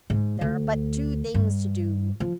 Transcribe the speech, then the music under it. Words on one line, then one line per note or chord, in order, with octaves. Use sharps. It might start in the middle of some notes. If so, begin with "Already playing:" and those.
There are but two things to do.
G#2
D2
G2
F3